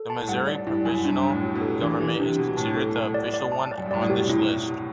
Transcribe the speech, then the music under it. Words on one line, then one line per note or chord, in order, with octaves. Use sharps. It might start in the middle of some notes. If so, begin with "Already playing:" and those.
The Missouri Provisional Government is considered the official one on this list.
Already playing: A4
A5
A2
G2 F#5
D5
G2 E4
F#2 E4
G2 D4
D4
A2
F#4
B2
A4
E3 D4
E3 G4
C3 D4
B2 D4
A2 A5
A4
A5
D5
D5
A5
D5
F#2
G2
A2 D5
B2
C3 G4
E4